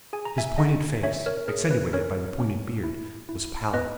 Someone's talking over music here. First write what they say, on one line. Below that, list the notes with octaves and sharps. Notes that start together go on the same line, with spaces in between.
His pointed face, accentuated by the pointed beard, was pallid.
G#4 G#5
A#5
E5 G#5
G#4 D#5 F#5
C#4 C#5 E5
A#4 C#5
G#4 A#4
B4
C#4 A#4 C#5
C#4
E4
E4
B3 B4 D#5